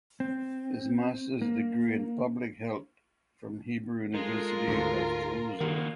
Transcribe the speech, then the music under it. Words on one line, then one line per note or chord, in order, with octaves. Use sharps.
His Masters degree in Public Health from Hebrew University of Jerusalem.
C4
A#3
G#3 F4 A4 A#4
D2 G#2
D#3 A#3 F#4